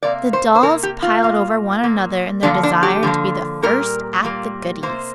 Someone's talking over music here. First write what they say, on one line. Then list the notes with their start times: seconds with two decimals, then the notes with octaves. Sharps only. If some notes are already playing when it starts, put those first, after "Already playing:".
The dolls piled over one another in their desire to be the first at the goodies.
0.02 C3 A#3 D5
0.33 C5
0.55 C5
0.63 C3 A#3 A#4
0.83 G4
1.02 F4
1.23 A#2 A#3
1.84 A#2 A#3
2.43 D3 F3 A#3 D4
2.63 D4
2.83 G4
3.03 D3 F3 A#3
3.62 A#2 G3 A#3 A#4
4.23 A#2 G3 A#3
4.83 C3 A#3 C5